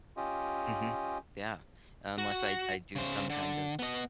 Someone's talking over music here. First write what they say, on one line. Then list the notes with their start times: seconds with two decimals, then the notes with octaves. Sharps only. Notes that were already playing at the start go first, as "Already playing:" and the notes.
Mhm. Yeah. Unless I I do some kind of
0.17 C#4 F4 G4 D#5
2.18 F#4
2.96 C#3 C5
3.30 D3
3.79 B3 D#5